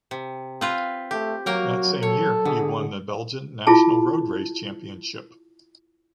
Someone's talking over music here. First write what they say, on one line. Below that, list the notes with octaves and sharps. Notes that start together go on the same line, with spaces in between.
That same year he won the Belgian National Road Race Championship.
C3
C4 F4 B4
A3 G4
F#3 A#3 F#4 A#4 G5
A4 C#5
B2 D3 G#4
E4 F4 G#4 A5